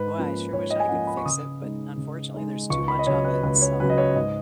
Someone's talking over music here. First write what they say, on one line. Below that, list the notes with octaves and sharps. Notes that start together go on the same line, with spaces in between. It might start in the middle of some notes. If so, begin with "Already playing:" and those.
boy, I sure wish I could fix it, but unfortunately there's too much of it, so
Already playing: G#2 B4
F3 A#3 C#4
G#2 C#5
D#5
G#5
F3 A#3 C#4 F#5
B5
C#6
C#3 D#6
G#3 D#4
C#3
G#3 D#4
C#2 C#6
B5
D#5
C#3 F#3 C#5
B4
C#2 B4
C#5
C#3 F#3 B4
D#5
C#5
G#2 D#5